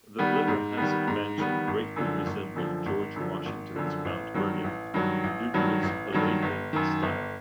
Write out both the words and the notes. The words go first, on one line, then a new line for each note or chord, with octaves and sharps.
The Blennerhasset mansion greatly resembled George Washington's Mount Vernon, due to its Palladian style.
D#3 G3 B3
G#2
D#3 G3 B3
G#2
D#3 G3 B3
G#1
F#2 D3 F3
G#1
F#2 D3 F3
G#1
F#2 D3 F3
G#1
F#2 D3 F3
A1
G2 D#3 F#3
A1
G2 D#3 F#3
A1
G2 D#3 F#3
A1
G2 D#3 F#3
G1
F#2 D#3
G1